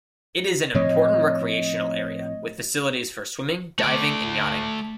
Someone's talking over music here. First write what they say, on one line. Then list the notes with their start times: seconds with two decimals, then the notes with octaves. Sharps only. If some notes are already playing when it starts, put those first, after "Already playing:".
It is an important recreational area, with facilities for swimming, diving and yachting.
0.75 A2 F3 C4 C#5 D#5
3.79 A3 D5